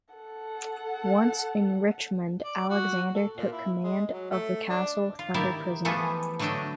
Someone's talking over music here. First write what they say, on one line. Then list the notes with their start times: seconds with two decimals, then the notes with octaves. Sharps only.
Once in Richmond, Alexander took command of the Castle Thunder Prison.
0.15 A4 F#5
2.44 D5
2.70 F#4
3.14 A4
3.37 A#2
3.52 E4
3.84 G#3
4.11 F#3
4.30 A3
4.69 D4
5.19 F4
5.34 D#3 A#3 E4 G4 D5
5.85 E3 F3 G3 A3 B3 G#4
6.39 D3 F#3 A3 D4 D#5 G5